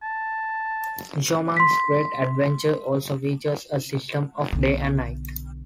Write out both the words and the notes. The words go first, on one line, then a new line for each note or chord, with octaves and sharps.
"Goemon's Great Adventure" also features a system of day and night.
A5
C6 B6
B1 D3